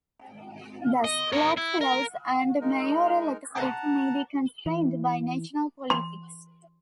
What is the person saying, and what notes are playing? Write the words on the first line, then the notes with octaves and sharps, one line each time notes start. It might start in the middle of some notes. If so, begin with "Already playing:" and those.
Thus, local laws and mayoral authority may be constrained by national politics.
D#5
A#4 C#5
E4
A#4
G#3 D#4 A#4
F#5 A5 A#5
E3
C6